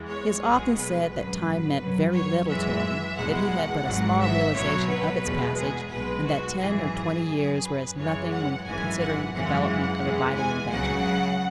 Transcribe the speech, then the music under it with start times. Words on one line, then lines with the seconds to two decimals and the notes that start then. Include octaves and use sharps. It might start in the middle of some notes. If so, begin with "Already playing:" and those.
He has often said that time meant very little to him, that he had but a small realization of its passage, and that ten or twenty years were as nothing when considering the development of a vital invention.
Already playing: E2 E3 G#3
0.08 C#5
0.42 B1 B2 G#3 G#4
0.77 B4
1.11 G#1 F#2 F#3 B4
1.79 F#2 F#3
2.14 C#5
2.48 F#2 E3 G#3 E5
3.16 E2 B2 G#3 F#5
3.85 G#1 G#2 F#3
4.20 E5
4.53 B1 B2 F#3 C#5
4.88 B4
5.23 E2 B2 G#3
5.57 G#4
5.91 B1 B2 G#3 B4
6.25 F#4
6.59 G#1 F#2 E3 G#4
7.28 F#2 F#3
7.62 B4
7.96 F#2 C#3 E3 G#3 C#5
8.31 F#5
8.65 G#1 F#2 E3 G#3 G#5
9.00 F#5
9.34 F#2 C#3 E3 G#3 F#5
10.03 E2 E3 G#3
10.36 G#5
10.70 C#2 C#3 F#3 F#5